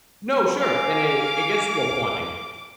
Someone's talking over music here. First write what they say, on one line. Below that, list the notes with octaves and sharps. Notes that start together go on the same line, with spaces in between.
No, sure, and it it gets to a point.
F5 G#5 D6